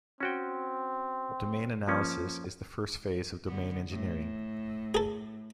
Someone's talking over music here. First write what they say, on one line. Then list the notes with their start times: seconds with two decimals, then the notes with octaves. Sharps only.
Domain analysis is the first phase of domain engineering.
0.20 C4 C#4 F#4 G5
1.88 F3 A#3 C#4
3.47 D3 B3
3.89 A2
4.95 G#4 A4